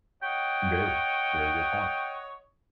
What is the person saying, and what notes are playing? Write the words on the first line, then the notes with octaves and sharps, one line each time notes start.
Very. Very good point.
C#5 D#5 F#5 G5